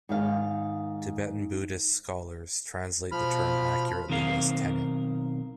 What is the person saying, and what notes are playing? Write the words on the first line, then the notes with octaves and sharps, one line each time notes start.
Tibetan Buddhists scholars translate the term accurately as 'tenet'.
G#2 D#3 F5
B2 F3 B5 F6
B1 D#3 C4 A#4 F5